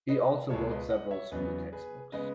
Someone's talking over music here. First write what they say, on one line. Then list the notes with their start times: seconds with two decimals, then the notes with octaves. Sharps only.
He also wrote several school textbooks.
0.09 B4 D#5
0.49 C#2 B2 G#3 A4 C#5
0.70 B4 D#5
0.90 D#5 F#5
1.11 C#5 E5
1.31 E2 C#3 F#3 B3 B4 D#5
1.72 G#4 B4
2.12 C#3 G#3 B3 B4 D#5